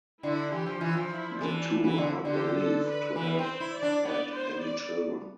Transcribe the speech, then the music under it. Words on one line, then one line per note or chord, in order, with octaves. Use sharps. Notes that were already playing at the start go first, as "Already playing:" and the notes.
The two are not believed to have had any children.
D3 E4
E3 G4
F3
E3 F4
F3
E4
E3 D4
E3 E4
D3
D3 G4
A4
B4
E3 B4
C4
C5
E4
D5
D4
B3 D5
C5
D5